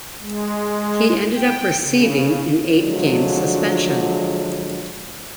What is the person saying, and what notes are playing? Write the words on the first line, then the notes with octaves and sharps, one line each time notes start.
He ended up receiving an eight-game suspension.
G#3
G5
C#3
D3 F3 F#3 G#3 D4